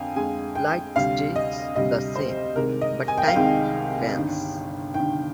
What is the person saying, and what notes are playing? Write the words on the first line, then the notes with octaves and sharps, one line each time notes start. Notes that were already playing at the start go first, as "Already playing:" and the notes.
Light stays the same, but time bends.
Already playing: F2 D3 F5 G5 G#5
F2 D3 G#3 G#5
G5
D2 C3 G3 F5
D#5
D2 C3 G3 D#5
C5
C2 C3 D#3 G#3 A#4
D#5
G#5
G5
F5
C2 C3 D#3 G#3 G5
G1 G2 D#3
G1 G2 D#3 G5